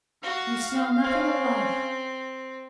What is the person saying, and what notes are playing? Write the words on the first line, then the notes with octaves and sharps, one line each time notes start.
You smell nothing of life.
F#4 F5
C4 C#4